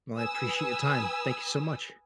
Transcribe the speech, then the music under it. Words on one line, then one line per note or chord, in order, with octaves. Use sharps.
Well, I appreciate your time. Thank you so much.
B4 G#5 D#6 E6